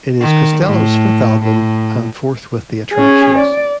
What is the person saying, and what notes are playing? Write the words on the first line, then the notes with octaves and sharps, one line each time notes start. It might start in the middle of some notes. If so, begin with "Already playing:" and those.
It is Costello's fifth album, and fourth with the Attractions.
D#3
A2
A2
C#4 G#4
D5